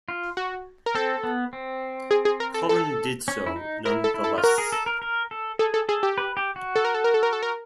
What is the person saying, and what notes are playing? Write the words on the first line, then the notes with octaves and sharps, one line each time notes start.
Cullen did so nonetheless.
F4
F#4
A#4
C4 A4
B3
C4
G#4
G#4
A#4
A4
A4
C#4
E4
D#4
E4 A#4
A4
E4
A4
F4
F#4 A#4
G#4
A4
A#4
A#4
A4
G#4 A4
A4
G#4 A4
G4
B4
G4
F#4
A4
A#4
A4
A#4
A4
A#4
A4
A#4